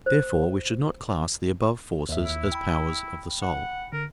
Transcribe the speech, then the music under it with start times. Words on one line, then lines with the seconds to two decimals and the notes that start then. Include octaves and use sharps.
Therefore we should not class the above forces as powers of the soul.
0.06 C5
2.09 D#2 E5
2.25 E4
2.52 G5 B5
3.42 F#5
3.93 D3 A#4